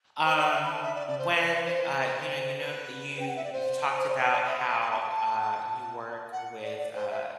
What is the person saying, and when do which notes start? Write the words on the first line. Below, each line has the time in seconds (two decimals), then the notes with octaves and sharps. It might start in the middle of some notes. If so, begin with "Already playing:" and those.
Um, when, uh, you know you know you you talked about how, uh, you work with, uh,
0.25 C5
0.37 D5
0.49 E5
0.63 B5
0.72 A5
0.83 E5
0.95 D5
1.07 D5
1.19 C5
1.34 B4
1.50 B4
1.65 C5
2.59 B4
3.20 G5
3.28 F#5
3.36 E5
3.44 D5
3.53 C5
3.99 C5
4.09 D5
4.14 C5
4.30 D5
4.45 E5
4.57 F#5
4.69 A5
4.81 A5
4.92 A5
6.32 F#5
6.63 D5
6.79 D5
6.94 C5
7.10 E5